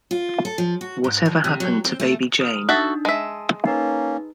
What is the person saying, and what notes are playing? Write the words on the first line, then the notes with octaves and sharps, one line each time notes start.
What Ever Happened to Baby Jane?
F4
A4
F3
F#4
G#2
F3
C3
F#3
C4
A3
D#6 F6
D4 D#4 F#4 A4 E5
G#3 E5 A5
A#3 C#4 D#4 B4 A#5